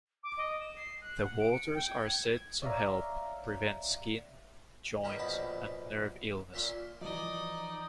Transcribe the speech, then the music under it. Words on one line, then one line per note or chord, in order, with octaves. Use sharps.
The waters are said to help prevent skin, joint, and nerve illness.
D6
D#5
E7
C7
F#6
F#5
D7
C#7
G5
G#6
G#6
C#5 D5 E5 F5 A#5
E2 D#3 C#4 E4
A#1 E2 B2 A5 B5
A#2 C#4 E5 C6
E3 F3 D#4 F#4 D5 D#5